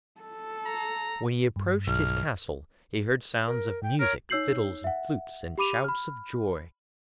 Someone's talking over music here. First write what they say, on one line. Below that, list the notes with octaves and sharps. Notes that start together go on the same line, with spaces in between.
When he approached his castle he heard sounds of music, fiddles and flutes, and shouts of joy.
A4
A#5
G2
B1 F6
A#4
G5
A#4 C#5
D#4 C#5 E6 G6 C7 F#7
E5 F#5
G4 B5 D6 D#7 F7
B5 F6